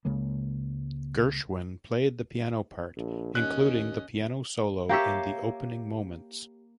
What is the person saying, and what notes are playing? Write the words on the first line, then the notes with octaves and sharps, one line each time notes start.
Gershwin played the piano part, including the piano solo in the opening moments.
C#2 C#3 G#3 A#3
A#1
D#2 C#4 D#5 F#6
A#3 G4 C#5 E5